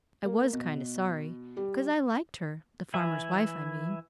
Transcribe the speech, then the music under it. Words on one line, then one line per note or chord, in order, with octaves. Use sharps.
I was kind of sorry, 'cause I liked her--the farmer's wife, I mean.
A#3
B2
G3
E3 E4 G#5